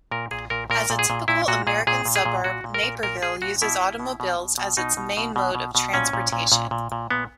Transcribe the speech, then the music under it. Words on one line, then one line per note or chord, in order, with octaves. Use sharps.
As a typical American suburb, Naperville' uses automobiles as its main mode of transportation.
A#2 A#4
A#2 G#4
A#2 A#4
A#2 A#4
A#2
G#4
A#2
A#2 E4
A#2 F#4
A#2 G#4
A#2 G#4
A#2
G#4
A#2
A#2 F#4
A#2
A#4
A#2
A#2 A#4
A#2 G#4
A#2 F#4
B2 E4
B2
B2
B2
B2
B2
B2 D#4
B2
B2
B2
B2
B2
A#2 C#4
A#2
A#2
A#2
A#2
A#2
A#2 B3